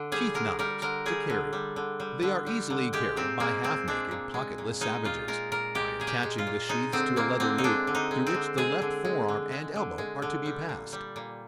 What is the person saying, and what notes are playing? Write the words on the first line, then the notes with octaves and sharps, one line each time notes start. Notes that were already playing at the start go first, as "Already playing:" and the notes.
Sheath Knives, to carry.--They are easily carried by half-naked, pocketless savages, by attaching the sheaths to a leather-loop, through which the left forearm and elbow are to be passed.
Already playing: D3
G3 G#4
D3 A#4
G3 A#4
D3 A#4
G3 G#4
D3
G3
D3
G3
D3
G3
D3
G#3 G4
A#2 C4
G#3 A#3
A#2 C4
G#3 D4
A#2
G#3
A#2
G#3 D#4
A#2 F4
G#3 A#4
A#2 A#4
G#3 G4
A#2 G#4
G4
G#3
F4
A#2
G#3 D#4
D3 C4
G#3 A#3
D3 C4
D#4
G#3 D4
D3
D#4
G#3
C4
D3
G#3 G#4
D3
G#3
D3
G#3
D3
G#3
D3
G3
A#2
G3
A#2